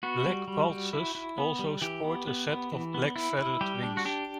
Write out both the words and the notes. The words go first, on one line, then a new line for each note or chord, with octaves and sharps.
Black Waltzes also sport a set of black feathered wings.
B3 F#4
G3
G3
G3
E4
E4
B3
G3
E3 G4
B3
B3
B3
E3
B3
E4
E4
G3 G4
D4
F#4
D4 G4